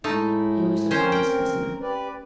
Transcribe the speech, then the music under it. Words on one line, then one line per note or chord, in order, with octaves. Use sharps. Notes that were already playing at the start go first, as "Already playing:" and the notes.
He was a fine specimen.
A2 G#3 A3 D#4 E4
C4 C#4 A#4 C5
G5
G4 B4 D5